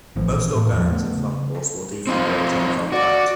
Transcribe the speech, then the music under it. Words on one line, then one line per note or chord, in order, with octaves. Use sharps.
Most organics and flammables will deflagrate on contact.
A1 A2 E3 F3
A#2 E3
A2 A#3
E2 F3
C#3 A3 B3
C4 D#4 F4
F#4 D5